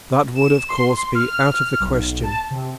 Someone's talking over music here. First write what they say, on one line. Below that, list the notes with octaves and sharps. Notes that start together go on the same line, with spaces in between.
That would, of course, be out of the question.
E7
C6
F6
F6
B1
A5
C3